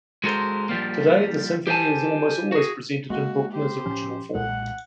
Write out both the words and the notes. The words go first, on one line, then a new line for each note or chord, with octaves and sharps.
Today the symphony is almost always presented in Bruckner's original form.
G#3 F#4 A4 A#4 C5
F3 G3 A#3
G4 C5 D5 G#5 A5
F#4 G#4
G#3 A#3 F#4
G4 C5
A2 F3 C#4
B1 A#2 G#3 F#5